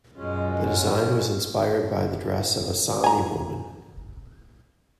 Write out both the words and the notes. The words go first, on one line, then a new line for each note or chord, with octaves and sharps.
The design was inspired by the dress of a Sami woman.
F#2 B2 F#3 G#3 C#4 F4
G#5 A#5